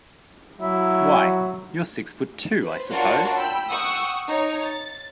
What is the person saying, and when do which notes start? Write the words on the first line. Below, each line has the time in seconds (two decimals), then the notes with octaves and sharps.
Why, you're six foot two, I suppose?
0.61 F#3 E4
2.62 B4 C5
2.91 D4 F4 F#4 A#4 C#5 D5
3.35 G5 B5 E6
3.69 F#5 G5 C#6 D#6 E6
4.27 D#4 C#5 A#5
4.63 A6